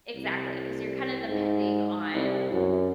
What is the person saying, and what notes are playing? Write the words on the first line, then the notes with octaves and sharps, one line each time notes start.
Exactly, 'cause you're kinda depending on
C2
G#2
C2
F#2